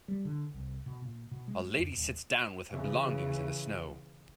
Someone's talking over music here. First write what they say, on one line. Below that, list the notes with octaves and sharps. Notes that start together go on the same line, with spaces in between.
A lady sits down with her belongings in the snow.
G3
D3
C2
B2
A#2
B2
G#3
G#3
F2
D#1
C#3 E3